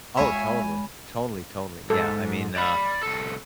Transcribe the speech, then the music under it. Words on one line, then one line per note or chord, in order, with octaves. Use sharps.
Oh, totally. Totally, totally, yeah, I mean, uh,
G#3 C#5 E5 F5 G#5 B5
G#2 A4
D5 B5
C2 A4